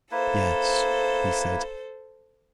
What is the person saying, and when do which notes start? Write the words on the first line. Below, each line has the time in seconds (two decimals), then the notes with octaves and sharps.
"Yes," he said.
0.11 A#3 E4 A4 B4 C5